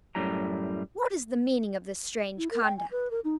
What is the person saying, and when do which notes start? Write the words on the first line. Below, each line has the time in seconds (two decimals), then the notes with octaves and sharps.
What is the meaning of this strange conduct?
0.15 F#2 A2 G3 A#5
2.38 E4
2.51 A#4
2.64 G5
2.77 G#5
2.91 B4
3.11 A#4
3.24 D#4